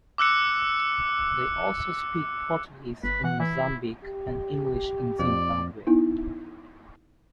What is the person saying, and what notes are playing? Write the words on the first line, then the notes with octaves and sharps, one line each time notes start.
They also speak Portuguese in Mozambique and English in Zimbabwe.
D6 E6 F#6 C#7
G1 B4
E3 F#5
E3 E4
G4
F2 D5
B3 D#4 E4